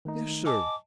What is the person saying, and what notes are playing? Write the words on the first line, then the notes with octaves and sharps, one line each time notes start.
"Yes, sir."
D#3 A3 D#4
D#5 G#5 A5 D6